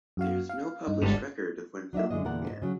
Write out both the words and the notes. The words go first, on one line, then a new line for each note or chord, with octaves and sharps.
There is no published record of when filming began.
F#2 F#4 F5
F5
G2 D#4
G1 G3 G#3 A4
F#3 D4 D#4 E5
F#2 D3 D#3 G#3 D#5
E2 A#2 D3 A#4 F#5
G#2
C#3 F#3